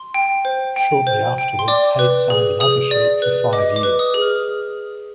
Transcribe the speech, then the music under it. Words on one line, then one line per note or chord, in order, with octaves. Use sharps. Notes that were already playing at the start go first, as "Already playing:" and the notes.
Shortly afterward Tait signed an offer sheet for five years.
Already playing: C6
G5
C5
G5
C5
G5
C6
D5 D6
B4
G#4
G#4 D#6
D5
B4
D#5 D6
D6
B4
D#6
G#4
F6